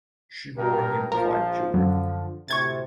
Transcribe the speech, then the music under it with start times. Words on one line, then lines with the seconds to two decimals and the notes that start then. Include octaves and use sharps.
She bore him five children.
0.57 G2 G4 A#4
1.12 A#1 F3 A#4
1.74 F#2 D3 F3
2.48 D2 A2 C3 C#6 G#6 A6